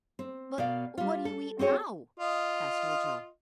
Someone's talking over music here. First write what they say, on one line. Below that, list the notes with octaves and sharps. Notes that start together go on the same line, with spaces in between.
"But what do you eat now?" asked Ojo.
C4
B2 A#4 D5 F5
G3 F4
A4
C4 F#4 G#4 C#5
F4 D#5